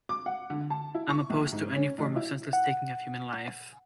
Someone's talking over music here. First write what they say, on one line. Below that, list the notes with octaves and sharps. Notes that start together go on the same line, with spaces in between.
I'm opposed to any form of senseless taking of human life.
D6
F#5
D3
A5
E4
C#6
A#1
G#2
C#4
A1
E4
F#5